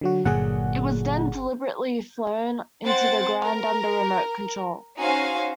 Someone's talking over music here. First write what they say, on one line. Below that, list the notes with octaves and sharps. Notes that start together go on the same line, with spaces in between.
It was then deliberately flown into the ground under remote control.
D3 F#3 F#4
G1 A#2 D3 F#3 G#4 F#5
C4 C5 F#5 A6
A#4
C#4 D#4 F#4 C5 F5 G#5